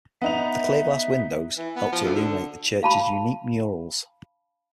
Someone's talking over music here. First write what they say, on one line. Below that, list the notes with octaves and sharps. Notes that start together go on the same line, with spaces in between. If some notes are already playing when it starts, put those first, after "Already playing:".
The clear-glass windows help to illuminate the church's unique murals.
B3 D#4 E5 F7
E3
B3
F3
D2
D3
F5 A5 B5